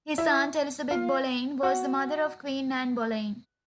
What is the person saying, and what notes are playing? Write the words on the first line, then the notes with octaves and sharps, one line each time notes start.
His aunt, Elizabeth Boleyn, was the mother of Queen Anne Boleyn.
E4 E5
F4 F5
F#4 F#5